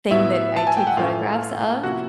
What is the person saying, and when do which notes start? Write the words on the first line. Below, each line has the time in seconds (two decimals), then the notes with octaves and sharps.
thing that I take photographs of,
0.11 A2 F#3 B3 E4 E5
0.56 A5
0.67 G#5
0.77 G5
0.87 F#5
0.97 A2 E3 A3 C#4 E4 F4 F5
1.83 C3 F3 A#3 C#4 E4 F#4 F#5